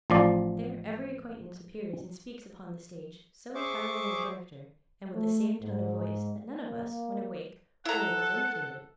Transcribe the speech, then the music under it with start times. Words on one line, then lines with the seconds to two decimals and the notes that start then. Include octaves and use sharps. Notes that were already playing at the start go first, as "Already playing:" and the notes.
There every acquaintance appears and speaks upon the stage, so entirely in character, and with the same tone of voice, that none of us, when awake, were able to imitate it.
0.10 A1 F3 D5
3.55 G#4 C5 E5 C#6 D6
5.15 A3
5.61 G#2
6.62 A#3
7.85 E4 A4 F#5 A#5